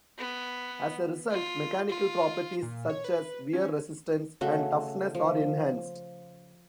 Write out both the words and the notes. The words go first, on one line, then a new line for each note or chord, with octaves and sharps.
As a result, mechanical properties such as wear resistance and toughness are enhanced.
B3
F4
F4
A#2
C#5
B4
C#4
C#3 A3 F#4
F3